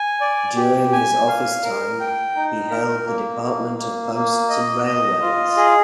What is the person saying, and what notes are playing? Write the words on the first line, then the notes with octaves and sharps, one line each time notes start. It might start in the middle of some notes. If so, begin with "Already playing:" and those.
During his office time he held the Department of Posts and Railways.
Already playing: G#5
D5
G4
G#5
F5
A#4
G5
D#4
A#4
A#3
A#3
A#3
A#3
D#5
D#5
F4
G#4